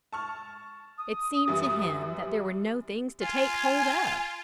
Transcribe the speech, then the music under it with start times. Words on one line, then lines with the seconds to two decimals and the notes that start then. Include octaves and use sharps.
It seemed to him that there were no things to take hold of!
0.13 A5 C#6 F6
0.98 D#6
1.48 F#2 E3 G3
3.22 F4 G#5